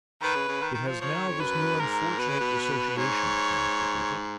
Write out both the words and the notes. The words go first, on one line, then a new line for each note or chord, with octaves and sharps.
It has now this new unfortunate association connected with it.
D#3 B4
C#3
C#3
D#3
D#3
F3
F3 C#5
D#3
F2
F#2 B4
G#2 A#4
B2 B4
C#3
B2
G#2 C#5